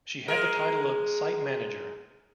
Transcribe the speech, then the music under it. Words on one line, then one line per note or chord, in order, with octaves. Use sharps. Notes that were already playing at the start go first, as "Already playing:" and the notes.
She had the title of "Site Manager".
G#3 A#4